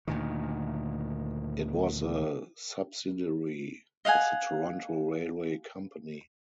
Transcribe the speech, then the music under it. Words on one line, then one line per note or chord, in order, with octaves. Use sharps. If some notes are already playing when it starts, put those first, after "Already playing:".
It was a subsidiary of the Toronto Railway Company.
D2 A#2 D#3
D#5 F5 F#5 G#5